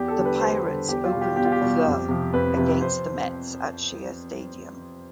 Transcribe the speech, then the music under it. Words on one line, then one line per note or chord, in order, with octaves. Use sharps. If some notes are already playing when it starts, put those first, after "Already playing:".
The Pirates opened the against the Mets at Shea Stadium.
Already playing: E2 G4
A4
D3 G3
B4
E2 C5
D3 G3
E2 G4
F4
B2 G3
G4
E2 G4
F4
G4
B2 G3
F2
C3 F3
F2 B4
C3 F3
F2 C5